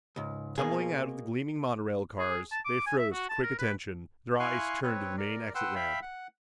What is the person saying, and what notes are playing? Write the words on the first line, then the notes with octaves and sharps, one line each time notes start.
Tumbling out of the gleaming monorail cars, they froze to quick attention, their eyes turned to the main exit ramp.
C#2 G#2
B2 A#3 G#4
G#4
A5
D6
G#5
E5
F#4
A5
A#4
B4
E4 F5 G#5 C6 C#6 F#6
C4 B4 C#5
A#4 D5
B4 F#5 G5 C6 E6
E5 F5 G5 B5
F#5